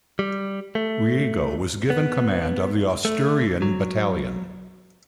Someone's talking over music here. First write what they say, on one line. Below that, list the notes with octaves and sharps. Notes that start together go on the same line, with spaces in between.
Riego was given command of the Asturian Battalion.
G3
A3
B3
A3
F#3